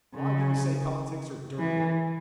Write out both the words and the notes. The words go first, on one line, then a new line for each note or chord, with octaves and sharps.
"Why do you say politics are dirty work?"
C#3
E3